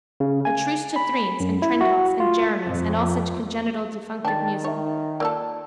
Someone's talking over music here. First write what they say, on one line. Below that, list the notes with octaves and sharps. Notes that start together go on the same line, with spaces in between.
A truce to threnes and trentals and jeremies and all such congenital defunctive music!
C#3
G#5
B5
F#2
E4
F#4
F4
F2
D#3 G3 D4 G5 A5 A6
D#4 C#5 E5
A#3 F4 A4 A#4 D5 E6